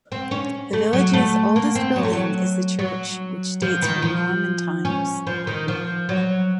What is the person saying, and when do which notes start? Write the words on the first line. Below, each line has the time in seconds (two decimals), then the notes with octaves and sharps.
The village's oldest building is the church, which dates from Norman times.
0.12 C4
0.31 C#4
0.73 A3
0.93 F#3
1.14 A3
1.56 A#3
1.75 C4
1.96 F#3
2.04 A3
2.13 F#3
2.79 F#3
3.62 F3
3.82 D#3
4.02 F3
4.85 C#4
5.27 F3
5.47 D#3
5.68 F3
6.09 F#3